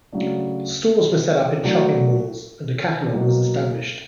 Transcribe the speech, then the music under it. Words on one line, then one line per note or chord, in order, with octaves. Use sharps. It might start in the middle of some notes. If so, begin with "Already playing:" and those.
Stores were set up in shopping malls and a catalog was established.
C#3 F#3 A3 D4
F#3 A3 D4 F#4
B2 F#3 A#3